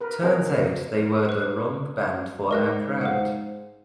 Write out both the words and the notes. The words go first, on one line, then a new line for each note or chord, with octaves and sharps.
Turns out they were the wrong band for our crowd.
A#4 B4
C4 F#4 G#4 A#4 D#5
B4 F#6
G#2 A#4 D#5 F#6
C5 F5 F#5